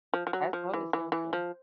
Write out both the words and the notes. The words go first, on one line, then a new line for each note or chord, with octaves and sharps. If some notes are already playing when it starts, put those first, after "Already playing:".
that's always something.
F3
F3
F#3
F3
E3
E3
E3
F3